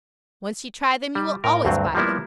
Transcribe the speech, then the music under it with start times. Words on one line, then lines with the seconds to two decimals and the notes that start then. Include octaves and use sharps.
Once you try them, you will always buy them.
1.15 G3
1.44 A2 A#4
1.65 D2 G2 F#3 C4
1.95 F3 G3 A#3 B3 E4